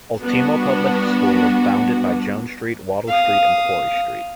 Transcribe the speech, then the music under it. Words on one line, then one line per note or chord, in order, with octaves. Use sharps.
Ultimo Public School is bounded by Jones Street, Wattle Street and Quarry Street.
G3 B3 D4 F#4
F5 D#6